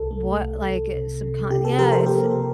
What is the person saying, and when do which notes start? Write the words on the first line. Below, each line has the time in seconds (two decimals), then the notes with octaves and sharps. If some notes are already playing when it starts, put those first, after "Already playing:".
what, like, uh, subcon yeah, it's
Already playing: C2 A4
0.11 A3
0.39 C2
0.67 C2
0.94 C3
1.23 C3
1.50 C3 G4
1.65 A4
1.78 F3 G4 A#4
1.92 A4 C5
2.06 A#3 G4 A#4
2.34 C3